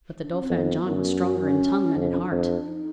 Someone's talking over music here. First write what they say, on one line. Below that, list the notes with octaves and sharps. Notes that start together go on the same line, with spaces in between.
But the Dauphin John was stronger in tongue than in heart.
D4
C#4
C4
F2 B3
F#2
C#4
F2 D4
C#4
D4
F2
D#4